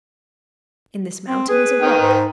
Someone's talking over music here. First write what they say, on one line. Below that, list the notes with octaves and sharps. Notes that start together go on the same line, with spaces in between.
In this mountain is a rock.
C4
G#4 B4
D#3 G5
G#2